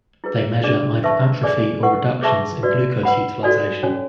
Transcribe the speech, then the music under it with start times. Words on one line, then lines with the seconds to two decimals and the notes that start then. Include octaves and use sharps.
They measure either atrophy or reductions in glucose utilization.
0.24 E4 G#4 B4
0.63 D4 G#4 D5
1.04 B4 E5 A5 C#6
1.43 G#4 D5 G#5
1.83 B4 F#5 C#6
2.23 G#4 B4 E5 A5 C#6
2.63 F#4 B4 D5
3.03 B4 F#5 B5
3.43 F#4 A4 D5 G#5
3.83 C#4 F#4 C#5 G#5